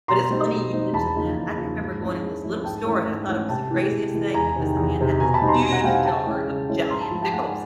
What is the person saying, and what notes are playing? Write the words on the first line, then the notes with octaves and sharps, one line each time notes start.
But it's funny you mentioned that. I can remember going in this little store and I thought it was the craziest thing because the man had this huge jar of giant pickles
B2 A#5 C6
G3 C4 D#4
B2
G3 C4 D#4
E2 A5 B5
C#3 F3 A#3 D#4
E2
C#3 F3 A#3 D#4
G#2
F3 G#3 C#4 E4
G#2
F3 G#3 C#4 E4
G#2 G5 A5
E3 A3 C#4 E4
G#2
E3 A3 C#4 E4
C3 G5 A5
E3 G#3
C3
E3 G#3
E2 G#5 A#5
C3 D#3
E2
C3 D#3
B2 G#5 A#5
A5 B5
G3 C4 D#4
A#5 C6
B2 G#5 A#5
F#5 G#5
G3 C4 D#4 F5 G5
F#5 G#5
C#3 G5 A5
E3 G#3 C#4 E4
C#3
E3 G#3 C#4 E4
G#2 A#5 C6
A5 B5
F3 G#3
G5 A5
G#2 F#5 G#5